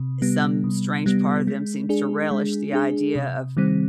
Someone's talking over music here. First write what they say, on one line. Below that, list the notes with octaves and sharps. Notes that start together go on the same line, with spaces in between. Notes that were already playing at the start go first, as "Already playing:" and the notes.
eh, some strange part of them seems to relish the idea of
Already playing: C3
G3 B3
C3
G3 B3
G#3
D4 G#4
G#3
D4 G#4
C3
D#3 G3 C4